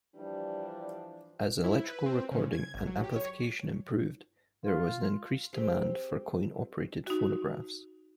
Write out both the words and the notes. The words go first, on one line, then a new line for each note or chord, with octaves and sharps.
As electrical recording and amplification improved there was increased demand for coin-operated phonographs.
E3 F3 G3 D4
E4
B4
C4
C#3
G#6
G#1
F#3
G4
C#5
F4
C4 G4 G#4
D#4 F#4